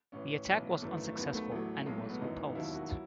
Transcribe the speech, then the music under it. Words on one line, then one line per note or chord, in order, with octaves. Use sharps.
The attack was unsuccessful and was repulsed.
A1 A2 E3 C#4
B1 A2 E3
G#1 F#2 E3 A3
A3
D#2 D#3 F#3 B3
A3
A1 A2 F#3 A3
B1 A2 F#3 G#3
A3
B3
G#1 F#2 E3 D#4
D#4
E1 D#2 D#3 F#3 E4
F#4
F#3 E4